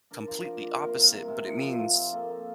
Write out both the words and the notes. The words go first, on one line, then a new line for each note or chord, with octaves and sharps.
completely opposite, but it means
D4 A#4
D5
F3 C5
F3 D5
A#3 D#5
C3 A#4
C5
D#3 A#4
C3
C3
F3
F3
F3
C4
A#3 A4
A#3